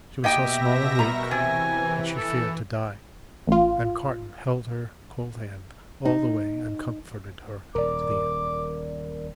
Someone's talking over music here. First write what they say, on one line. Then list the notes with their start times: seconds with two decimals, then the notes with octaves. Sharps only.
She was so small and weak that she feared to die, and Carton held her cold hand all the way and comforted her to the end.
0.24 B2 A#3 G4 D#5 E5 G5 A#6
0.99 G3 A#4 G5 A#5 C#6
1.31 C3 E3 G#5
2.17 A4
3.47 A1 F4
6.05 D#4
7.75 D#1 A#4 D5 D6